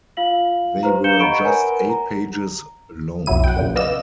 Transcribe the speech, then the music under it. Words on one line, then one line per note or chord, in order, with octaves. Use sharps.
They were just eight pages long.
F4 F5 F#7
G4 B4 C5 A#5
D4 F5 G6 C#7 E7 G7
D#5 F#5 A#5 B5 C#6 D7
A#4 B4 C#5 F#5 G#5 A#5
A#5
B1 F2 F#3 E4 D#7
F#5 G5
F#2 A#2 C#3
B3 D5 D#5 F5 E6 E7